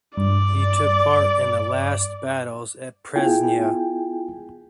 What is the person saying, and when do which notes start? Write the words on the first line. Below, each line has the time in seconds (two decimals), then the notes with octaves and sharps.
He took part in the last battles at Presnya.
0.17 G2 D5
3.16 B3 E4 F4 G#4 G5 G#5